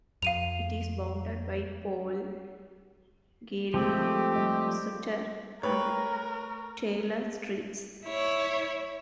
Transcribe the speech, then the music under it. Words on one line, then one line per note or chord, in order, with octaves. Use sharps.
It is bounded by Powell, Geary, Sutter, and Taylor Streets.
F2 F5 D#7 F7
F3 G#3 A3 C4 G4
G3 D#5
A3 A#4 B4 C#5 G5
E4 C#5